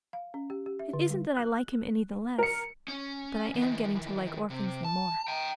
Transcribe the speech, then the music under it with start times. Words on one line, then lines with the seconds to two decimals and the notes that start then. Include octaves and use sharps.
It isn't that I like him any the less, but I am getting to like orphans the more.
0.13 F5
0.34 C#4
0.50 G4
0.66 G4
0.79 E5
0.93 D3
1.10 G3
1.37 F#6
2.38 A#4 C#7
2.88 C#4
3.54 D#3 E3
4.50 C3
4.84 A5
5.28 G5 A#5